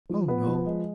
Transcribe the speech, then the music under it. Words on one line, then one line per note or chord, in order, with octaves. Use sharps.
"Oh no."
F3
B3 B4
F3
G#3